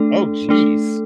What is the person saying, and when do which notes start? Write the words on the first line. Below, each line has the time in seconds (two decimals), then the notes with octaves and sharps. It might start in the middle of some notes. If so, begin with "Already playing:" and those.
Oh, jeez.
Already playing: A3 D4 A4
0.49 A3 D4 A4